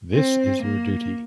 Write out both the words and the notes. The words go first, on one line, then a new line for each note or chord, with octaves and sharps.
This is your duty.
C4
A#3